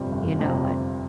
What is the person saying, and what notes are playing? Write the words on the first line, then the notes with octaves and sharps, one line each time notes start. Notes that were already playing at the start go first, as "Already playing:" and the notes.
you know, and,
Already playing: G1 F2 C3 G3
G1
F2 C3 G3